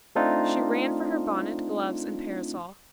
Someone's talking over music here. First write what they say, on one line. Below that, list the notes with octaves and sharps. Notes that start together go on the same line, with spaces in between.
She ran for her bonnet, gloves and parasol.
A3 C4 D4 D#4 F4